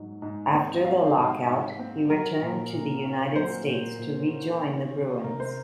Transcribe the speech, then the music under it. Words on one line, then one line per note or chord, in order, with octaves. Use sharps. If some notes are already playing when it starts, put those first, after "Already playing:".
After the lockout, he returned to the United States to rejoin the Bruins.
Already playing: G#2 F#3
G#2
C4
F#3 F5
G#2
G#2
C4
F#3 A#4
A#2
A#2
C#4
F#3 C5
A#2
A#2
C#4
D#3
C#4
C3 A#4
C5